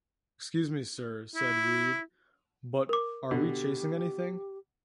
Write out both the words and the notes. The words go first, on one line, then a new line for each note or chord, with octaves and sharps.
"Excuse me, sir," said Read, "but are we chasing anything?"
E4
A#4 D6
B2 D3 G4